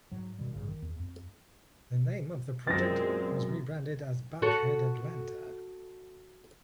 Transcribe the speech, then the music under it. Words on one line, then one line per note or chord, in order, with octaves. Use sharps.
The name of the project was rebranded as 'Buckhead Atlanta'.
G#2 F#3
B2 D#3 G3
A1 G2 C#3
D#3
E2
F2
F#2 A#2 G#3 C4 A6 A#6
F#4 A4 C#5